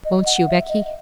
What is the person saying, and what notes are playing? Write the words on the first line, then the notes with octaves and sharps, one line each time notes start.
Won't you, Becky?'
D#5
F#5
E5
D#5